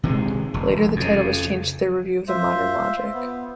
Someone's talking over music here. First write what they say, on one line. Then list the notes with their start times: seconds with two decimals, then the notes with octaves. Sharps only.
Later the title was changed to "The Review of Modern Logic".
0.03 C3 D#3 F#3 G#3
0.54 F1
0.96 F2 C#3
2.28 F4 C5 E5
3.14 B3